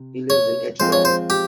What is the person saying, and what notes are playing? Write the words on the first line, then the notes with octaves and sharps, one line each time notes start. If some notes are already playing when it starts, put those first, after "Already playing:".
He lives in Eschweiler.
Already playing: C3
C#5
F3 G#3 C4 F4 C5
C#5
C5
G4